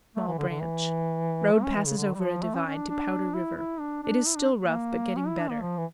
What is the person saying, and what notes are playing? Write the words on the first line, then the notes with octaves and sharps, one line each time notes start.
Small Branch.--Road passes over a divide to "Powder River." It is still rough, but getting better.
A3
E3
D3
D3
E3
A3
C#4
E3
C#3
D3
G3
F3
A3
C#4
C#4
D4
D4
E4
E4
D4
D4
E4
D4
A#3
C#4
E4
D4
A#3
F3
E3